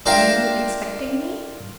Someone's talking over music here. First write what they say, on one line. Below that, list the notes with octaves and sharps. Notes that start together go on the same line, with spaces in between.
"Were you expecting me?"
D4 F4 A#4 E5 F5 G5